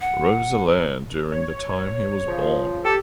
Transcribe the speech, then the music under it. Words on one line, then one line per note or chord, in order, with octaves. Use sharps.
Roeselare during the time he was born.
F#5
C#5
C#3 F3
G4 A4